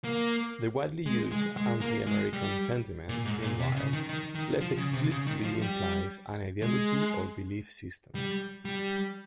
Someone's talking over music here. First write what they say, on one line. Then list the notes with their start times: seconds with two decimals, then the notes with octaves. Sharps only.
The widely used "anti-American sentiment", meanwhile, less explicitly implies an ideology or belief system.
0.04 A#3
1.06 G#3
1.32 G#3
1.57 G#3
1.81 A#3
2.07 G#3
2.33 G3
3.09 A#2
3.25 G#2
3.42 A#2
3.59 C3
3.76 C#3
3.93 D#3
4.09 D#3
4.35 D#3
4.61 F3
4.78 C#3
4.93 C3
5.11 C#3
5.27 D#3
5.44 F3
5.62 G3
6.63 G#3
8.15 G3
8.65 G3